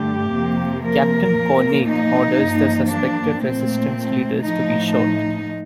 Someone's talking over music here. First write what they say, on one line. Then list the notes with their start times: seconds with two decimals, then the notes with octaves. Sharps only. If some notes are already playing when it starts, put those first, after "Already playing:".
Captain Koenig orders the suspected resistance leaders to be shot.
Already playing: G2 D3 A3 G4
0.32 F2 C3 F3 A#3
0.83 A#4
1.34 A#2 F3 A#3
1.86 D#4
2.36 G2 F3 A#3
2.88 D4
3.39 A#2 A3 C4
4.42 A2 F3 A3 D#4
4.93 D#4